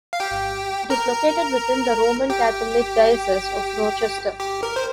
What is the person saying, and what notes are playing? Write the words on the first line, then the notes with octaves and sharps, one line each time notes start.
It is located within the Roman Catholic Diocese of Rochester.
F5
G4 G5
A#4 A#5
G4 G5
G4
A#4
C5